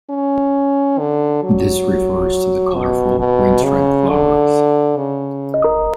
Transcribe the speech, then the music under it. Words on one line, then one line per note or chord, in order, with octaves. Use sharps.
This refers to the colorful, green striped flowers.
C#4
D3
F#3
B2
B2
C#3
D3
C#3